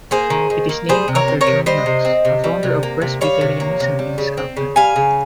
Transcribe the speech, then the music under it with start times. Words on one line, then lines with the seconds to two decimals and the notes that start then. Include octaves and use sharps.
It is named after John Knox, a founder of Presbyterianism in Scotland.
0.11 A#3 G#4 C5
0.30 D#3
0.50 D#3
0.69 A#3
0.89 G3 G#4 C5
1.08 C3
1.15 A#4 C#5
1.28 C4
1.41 A#4 C#5
1.47 C3
1.66 G3 C5 D#5
1.86 C3
2.05 C4
2.25 C3
2.44 G3
2.63 C3
2.83 A#3
3.02 C3
3.21 G3 C#5 F5
3.41 C3
3.60 A#3
3.80 C3
3.99 G3
4.18 C#3
4.37 C4
4.57 C#3
4.76 G3 F5 G#5
4.96 C#3